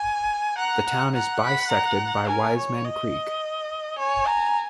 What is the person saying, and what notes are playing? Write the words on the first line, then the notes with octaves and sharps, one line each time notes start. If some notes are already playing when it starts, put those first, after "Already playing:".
The town is bisected by Wiseman Creek.
Already playing: G#5
F#5 A#5
F#5
F#5 A#5
B5
A#5
A#4 G#5
C#5
D#5
C#5 G#5
A#5